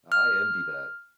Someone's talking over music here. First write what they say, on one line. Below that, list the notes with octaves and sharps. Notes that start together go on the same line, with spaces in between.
I envy that.
F6